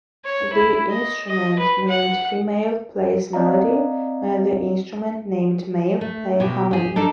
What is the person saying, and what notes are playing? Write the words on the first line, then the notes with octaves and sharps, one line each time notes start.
The instrument named female plays melody and the instrument named male play harmony.
C#5
E4
D#5
D#5
B4
F#5
C4 D5 D#5 F5 A#5
A3
B2 G4
G4 G#4
D4 D#4 A4